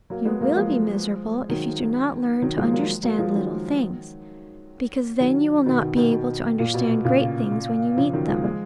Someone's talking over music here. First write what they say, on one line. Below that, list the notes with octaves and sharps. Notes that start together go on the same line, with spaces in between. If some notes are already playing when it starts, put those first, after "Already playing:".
You will be miserable if you do not learn to understand little things: because then you will not be able to understand great things when you meet them.
F#3 A#3
G#3 B3
F#3 A#3
F3 G#3
D#3 F#3
D#3 F#3
F3 G#3
F#3 A#3
F#3 A#3
F3 G#3
D#3 F#3
D#3 F#3
B2 D#3
B2 D#3
B2 D#3
B2
A#2
B2
A#2 C#3
C#3 F3
D#3 F#3
F3 G#3
F3 G#3